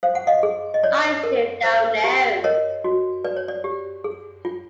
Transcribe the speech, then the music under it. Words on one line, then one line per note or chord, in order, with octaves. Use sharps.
I still don’t know.
C5 F5
F#5
D#5 F5
G#4
D#5
C#5 D5
A#4
C5
G4
A#4 C#5 D#5
F#4
B4 D5
C#5
D5
G4
G#4
F4